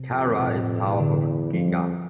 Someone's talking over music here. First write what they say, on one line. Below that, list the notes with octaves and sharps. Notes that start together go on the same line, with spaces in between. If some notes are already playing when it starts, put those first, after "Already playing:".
Cara is south of Gigha.
Already playing: C3
F2
D3
C3
B2
A2
E2 B2
D3
F2 F3
G3
F3